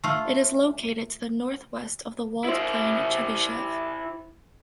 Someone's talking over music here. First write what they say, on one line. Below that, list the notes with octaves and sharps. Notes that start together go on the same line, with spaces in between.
It is located to the northwest of the walled plain Chebyshev.
A3 F4
E4 C5